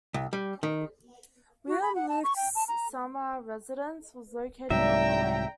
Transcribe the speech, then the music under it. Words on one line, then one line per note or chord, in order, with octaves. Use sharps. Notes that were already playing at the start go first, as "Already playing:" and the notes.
William Luke's summer residence was located on the lake.
C2
G3
D#3
F#4
B5
F#5
A5
C#6
G5
A5
A#5
C2 G#2 F#3 D4 E5 G5 A#5